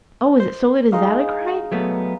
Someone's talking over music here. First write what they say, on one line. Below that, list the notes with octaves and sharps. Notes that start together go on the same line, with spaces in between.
"Oh, is it so late as that?" I cried.
C5
G#3 D#4 F5
F#3 A3 B3